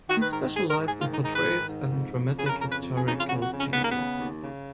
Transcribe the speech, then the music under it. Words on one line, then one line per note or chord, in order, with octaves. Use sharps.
He specialized in portraits and dramatic historical paintings.
D#3 F#4
B4
G#2 A#4
G#2 G#4
A#4
G#2
G#4
D#3 F4
D#4
G#2 D#4
B4
D#3
G#2
F2
F2
C#3 G#4
B4
A#4
F2 A#4
B4
F2
G#4
C#3 D#4
F4
F2 F#4
F#4
C#3
C#4
D#2 B3
A#3
B3
C#3
D#2
C#3